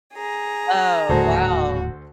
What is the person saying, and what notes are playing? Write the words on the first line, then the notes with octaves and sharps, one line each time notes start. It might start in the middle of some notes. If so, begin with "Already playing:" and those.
Oh, wow.
G#4 A#5
D#1 D2 A2 F#4 A4 C5